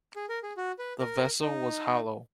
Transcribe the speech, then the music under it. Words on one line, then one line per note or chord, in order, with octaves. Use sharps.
The vessel was hollow.
G#4
A#4
G#4
F#4
B4
A#4
D#4